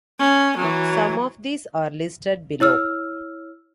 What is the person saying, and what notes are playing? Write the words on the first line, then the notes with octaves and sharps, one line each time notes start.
Some of these are listed below.
C#4
E3 F#3
E4 C#5 E6 F6